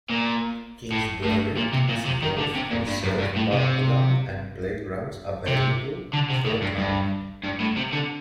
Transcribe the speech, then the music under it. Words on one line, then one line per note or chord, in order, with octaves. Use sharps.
Kingsbury has both reserve parkland and playgrounds available throughout.
A#2
A2
A2
A#2
C3
A#2
C3
D#3
D3
C3
A#2
G2
F#2
G2
A2
C3
C3
D3
C3
A2
G2
G2
G2
A2
C3
D3